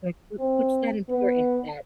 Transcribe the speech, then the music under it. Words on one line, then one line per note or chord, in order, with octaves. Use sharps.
Like, wh what's that important that
C4
B3